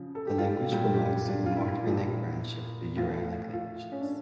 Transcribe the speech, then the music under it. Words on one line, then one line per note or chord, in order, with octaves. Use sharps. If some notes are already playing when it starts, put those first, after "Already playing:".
The language belongs to the Mordvinic branch of the Uralic languages.
Already playing: C#3 F3
A4
G4
F4
G4
A#2 G3 G4
G4
F4
D4
F4
E4
A#2 F3
A2 F3 F4
F4
C#4
D4